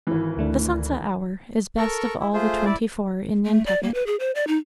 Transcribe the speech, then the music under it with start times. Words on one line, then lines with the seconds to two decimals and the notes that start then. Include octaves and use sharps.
The sunset hour is best of all the twenty-four in Nantucket.
0.07 G#1 E3
0.37 D2 A3 D4
1.77 A4 A#4 C#6
2.19 E4
2.33 A3 F4 G#4 C5
2.65 E4 D5
3.46 A3
3.66 D5
3.83 A#3
3.94 B4
4.07 G#4
4.20 C5
4.35 D5
4.47 D#4